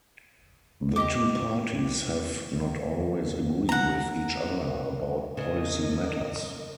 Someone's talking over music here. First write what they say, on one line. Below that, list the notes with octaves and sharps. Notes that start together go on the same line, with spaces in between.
The two parties have not always agreed with each other about policy matters.
G4 D#5 E5 D6
F#5 A#5
C#3 A#4 D#5